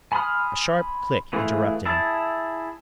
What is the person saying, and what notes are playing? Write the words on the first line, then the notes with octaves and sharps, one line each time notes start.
A sharp click interrupted him.
G#5 B5 C6 D#6 F6
E3 A3 E4 F4 G#4
E4 G#4 E5 A5